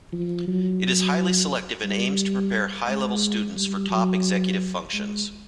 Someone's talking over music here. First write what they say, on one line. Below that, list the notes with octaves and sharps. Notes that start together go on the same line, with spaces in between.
It is highly selective and aims to prepare high-level students for top executive functions.
F3
F#3
G3
G#3
G3
F#3
G#3